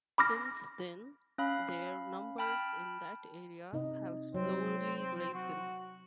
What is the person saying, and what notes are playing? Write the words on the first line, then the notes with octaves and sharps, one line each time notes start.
Since then, their numbers in that area have slowly risen.
B5 D6 F6 A#6
C#4 F5 B5
G5 A5 B5 F6
C3 D#4 D#5
F#3 C4
F#4